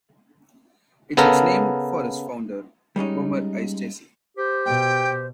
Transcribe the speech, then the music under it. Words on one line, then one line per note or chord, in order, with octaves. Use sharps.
It was named for its founder, Homer I. Stacy.
C#3 B3 A4 A#4
G3 G#3 C#4 D#4
G4 C5
B2 G5